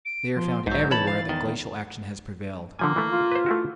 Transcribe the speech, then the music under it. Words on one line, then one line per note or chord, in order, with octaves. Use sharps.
They are found everywhere that glacial action has prevailed.
D7
F3 C6
B1 G#2 F#3 G6
E3 C#5 A5 B5 A6
F5
E2 D#3
D3 F3 A#3 G#5
E3 A3
F4
B4 C5
A3 E4 F#4